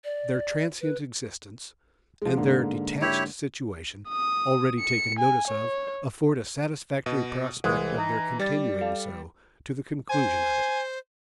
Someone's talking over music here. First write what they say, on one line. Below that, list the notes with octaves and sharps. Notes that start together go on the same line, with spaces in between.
Their transient existence, and their detached situation, already taken notice of, afford a satisfactory prospect of their continuing so, to the conclusion of it.
D5
B4
F3 G#3
G#2 D3 A#3
E4 G4 C#5
D#6
C#7
G#5
C#5
B2 D#5
C2 E3 G#3
D#4 A#5
G3 D5 A6
A4 F5
C5 G#5